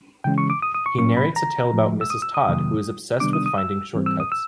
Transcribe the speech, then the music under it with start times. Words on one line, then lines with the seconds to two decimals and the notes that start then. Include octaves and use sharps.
He narrates a tale about Mrs. Todd, who is obsessed with finding shortcuts.
0.24 C#3 E3 G#3 C#4 G5
0.38 C#6
0.50 D6
0.62 D#6
0.75 D#6
0.86 C#6
0.98 A2 F#3 A#3 C#4 C#6
1.17 B5
1.36 A#5
1.73 A2 F3 A3
2.01 E6
2.10 D#6
2.22 E6
2.34 D#6
2.47 F2 C3 D#3 F#3 A#3
3.20 C3 D#3 G3 B3 D4 D6
3.33 D#6
3.46 D#6
3.58 E6
3.95 G#2 E3 G3 C4
4.06 E6
4.20 D#6
4.32 E6